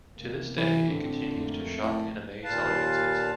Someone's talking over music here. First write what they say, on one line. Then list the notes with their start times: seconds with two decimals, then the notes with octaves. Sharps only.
To this day it continues to shock and amaze audiences.
0.18 E2 C3 A#3
0.57 E3
0.89 A2 D3 C4
1.34 F2 A3 A#3
1.83 A2
2.44 D#2 A#2 B4 F5 A5